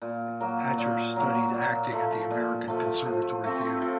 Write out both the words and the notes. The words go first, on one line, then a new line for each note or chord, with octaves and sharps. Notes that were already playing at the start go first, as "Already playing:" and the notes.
Hatcher studied acting at the American Conservatory Theater.
A#2
F#3 A#3
A#2
F#3 A#3
A#2
F3 A3
A#2
F3 A3
F3
A3 C4
F3